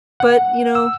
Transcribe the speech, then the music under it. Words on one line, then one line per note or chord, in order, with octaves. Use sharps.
But, you know,
F#5
E6